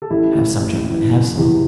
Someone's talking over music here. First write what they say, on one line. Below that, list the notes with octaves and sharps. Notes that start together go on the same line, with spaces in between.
"Have some, gentlemen, have some!"
A4
A1 E4 G4
A2 E3
A1
A2 E3
F#1
E2 C3 E3